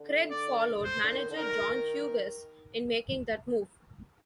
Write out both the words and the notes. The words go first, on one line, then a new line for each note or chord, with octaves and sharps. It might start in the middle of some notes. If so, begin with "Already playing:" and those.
Cregg followed manager John Hughes in making that move.
Already playing: D3
D5
C5
D3
D#3
D3
D#3 A#4